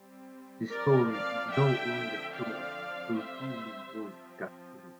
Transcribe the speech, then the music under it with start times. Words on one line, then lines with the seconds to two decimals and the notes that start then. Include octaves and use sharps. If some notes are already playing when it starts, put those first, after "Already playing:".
The story is no longer told through fully voiced cutscenes.
Already playing: G3 C4
0.69 F3 C4 A#4 D5
1.10 D5 F5
1.51 D3 F3 C4 E5 G5
2.33 D3 F3 C4 D5 F5
3.15 G3 C4 C5 E5
3.98 F3 C4